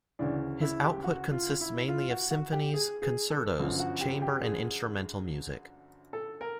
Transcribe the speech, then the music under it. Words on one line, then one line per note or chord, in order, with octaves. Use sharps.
His output consists mainly of symphonies, concertos, chamber and instrumental music.
D2 C#3 E3 D4
E4
G4
F#4
F4
E4
F4
F#4
F#4
G4
G#4
G#4
A4
G1 F#2 D3 F3
F#4
G4
G4
G#4
A4
A#4